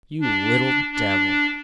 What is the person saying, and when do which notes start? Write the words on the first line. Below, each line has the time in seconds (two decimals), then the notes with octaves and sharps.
"You little devil!"
0.21 D4
0.92 D4